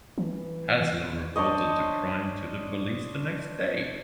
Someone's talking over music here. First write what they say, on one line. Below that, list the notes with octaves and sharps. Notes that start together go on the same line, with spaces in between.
Haslem reported the crime to the police the next day.
E3
D4 C5 C#5 D#5